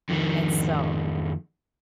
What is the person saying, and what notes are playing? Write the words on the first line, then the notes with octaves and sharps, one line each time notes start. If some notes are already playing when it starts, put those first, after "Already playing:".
And so
F2 D#3